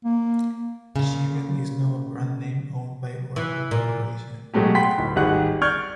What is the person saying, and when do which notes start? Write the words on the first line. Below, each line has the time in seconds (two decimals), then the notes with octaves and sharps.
Siebel is now a brand name owned by Oracle Corporation.
0.05 A#3
0.96 A#2 C#3
3.36 E3
3.71 A#2
4.54 B2 F#3 G#3 A3 G4
4.75 F#5 G5 B5 C6 B6
4.98 D1
5.16 G#1 G3 G4 G#4 F#5 F#6
5.62 D5 C#6 F6 G6 G#6